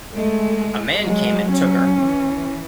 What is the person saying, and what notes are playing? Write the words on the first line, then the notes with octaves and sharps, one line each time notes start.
A man came and took her.
G#3 A3
F#3 G#3
C#4
E3